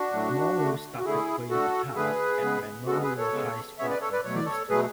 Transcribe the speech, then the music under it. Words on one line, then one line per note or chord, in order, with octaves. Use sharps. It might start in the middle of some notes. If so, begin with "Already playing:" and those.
Morrow started playing guitar at Memorial High School in Houston.
Already playing: D4 F#4
A2 F#3 A3
D3 A3
F#4
D3 A3 E4 G#4
D3 A3 F#4 A4
D3 A3 G#4 B4
C#3 G#3 B3
C#3 G#3 B3 F#4 A4
G#4 B4
A4 C#5
C#3 G#3 B3
C#3 G#3 B3 C#5 E5
B4 D5
A4 C#5
B4 D5
B2 F#3 A3 C#5
D5
A4 C#5
B2 F#3 A3 G#4 B4